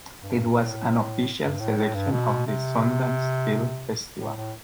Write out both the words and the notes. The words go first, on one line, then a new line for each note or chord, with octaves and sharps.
It was an official selection of the Sundance Film Festival.
G2
G2
B2
A2
G2
A2
A2
G2
B2
C3
A2
A2